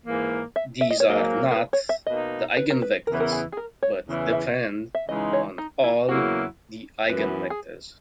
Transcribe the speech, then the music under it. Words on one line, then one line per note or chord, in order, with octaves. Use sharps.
These are "not" the eigenvectors, but "depend" on "all" the eigenvectors.
G#2 E3 A#3
E5
E5
D#5
C#5
G#2 F#3 A#3 D#5
A#4
B4
C#5
E5
B2 A#3 D#4 D#5
B4
A#4
B4
E2 C#3 E3 B3 E4 A#4
A#4
G#4
G#4
A#4
C#5
E2 C#3 E3
E5
E5
C#3 E3 G#3 D#4 D#5
C#5
D#4
E4
E2 C#3 F#3 A#3 E4 F#4
F#2 E3 B3 B4
G#4